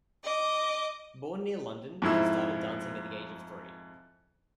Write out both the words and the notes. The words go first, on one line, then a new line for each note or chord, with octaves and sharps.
Born near London, she started dancing at the age of three.
D#5 D6
F2 G#2 E4 E6